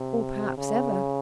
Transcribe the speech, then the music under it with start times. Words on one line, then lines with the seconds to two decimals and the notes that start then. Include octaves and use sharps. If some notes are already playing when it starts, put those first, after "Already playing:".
"Or perhaps ever."
Already playing: C3
0.58 C#3